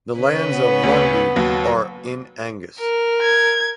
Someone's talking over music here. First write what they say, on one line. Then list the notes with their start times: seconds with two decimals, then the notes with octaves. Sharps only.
The lands of Lundie are in Angus.
0.18 C#3 C#4 B4
0.53 B3
0.83 D2
1.36 D#2 F#3
2.78 A#4
3.22 G#6